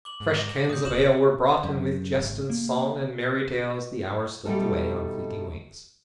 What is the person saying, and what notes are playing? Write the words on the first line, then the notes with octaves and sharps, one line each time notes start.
Fresh cans of ale were brought, and with jest and song and merry tales the hours slipped away on fleeting wings.
D6 F#7
G#2
A#6
A2 D#6 G6
D#1 E7 F#7
F#2
G#1
A#3
B2 G3 A3 D#4 A4